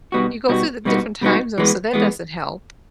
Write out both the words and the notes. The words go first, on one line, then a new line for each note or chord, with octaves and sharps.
You go through the different time zones, so that doesn't help.
B2 G3 B3 D#4 F#4
B2 G3 B3 D#4 F#4
B2 G3 B3 D#4 F#4
B2 G3 B3 D#4 F#4
E3 G#3 B3
E3 G#3 B3